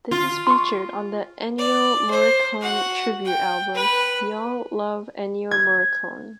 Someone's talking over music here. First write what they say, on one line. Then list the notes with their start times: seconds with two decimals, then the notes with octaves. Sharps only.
This is featured on the Ennio Morricone tribute album, "We All Love Ennio Morricone".
0.11 F4
0.47 C6 C#6
1.58 D5
2.10 C5
2.61 F#4 F#5
3.25 G5
3.74 B4
5.51 G#6